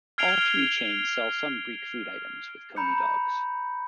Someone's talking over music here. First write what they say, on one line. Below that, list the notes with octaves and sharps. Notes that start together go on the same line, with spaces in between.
All three chains sell some Greek food items with Coney dogs.
F6 G#6 C7 D7 F7 G7
A#5 B5 G6 C#7